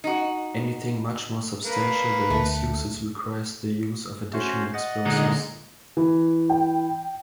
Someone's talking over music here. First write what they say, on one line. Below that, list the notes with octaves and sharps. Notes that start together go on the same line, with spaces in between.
Anything much more substantial than these uses requires the use of additional explosives.
D#4 F#4
A#3 B4
D2 A3
C#4 F#4 C5 E5
D#5 F#5 A6
A#2 D3 G#3 D#4
E3
G5